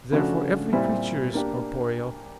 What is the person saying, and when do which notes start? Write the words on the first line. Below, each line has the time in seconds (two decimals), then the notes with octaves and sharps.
Therefore, every creature is corporeal.
0.12 C#3 F3 A3 D4 F#4
0.73 A#2 G3 C4 E4
1.34 A#3 D4 G4